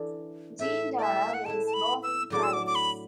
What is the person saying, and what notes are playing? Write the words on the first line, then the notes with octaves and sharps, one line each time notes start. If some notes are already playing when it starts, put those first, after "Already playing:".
Jean Dara was born in Paris.
Already playing: E3 D4 A4
A2 A3 E4 E5
D5
E5
F#5
A2 A3 E4 A5
A5
B5
E6
A2 F#3 D4 A4 D6
E6
D6
D6
B5